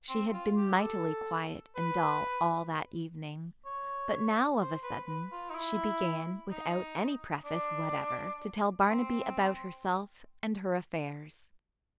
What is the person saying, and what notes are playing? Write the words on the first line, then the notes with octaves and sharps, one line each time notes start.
She had been mightily quiet and dull all that evening, but now of a sudden she began, without any preface whatever, to tell Barnaby about herself and her affairs.
C4
F4
G4
A4
B4
C#5
C5
B4
B4
F4
D#4
E4
D#4
D4
C4